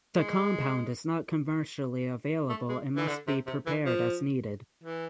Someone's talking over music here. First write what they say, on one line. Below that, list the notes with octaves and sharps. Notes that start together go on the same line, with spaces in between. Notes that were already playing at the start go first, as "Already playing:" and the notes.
The compound is not commercially available and must be prepared as needed.
G#3
A3
G#3
E3
D3
C3
C3
E3
F3
E3